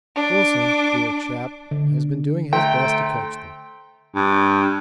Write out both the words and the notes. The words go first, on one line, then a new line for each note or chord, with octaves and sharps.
Wilson, dear chap, has been doing his best to coach them.
D4 D6
D3
A3 C5 G5 A#5
G2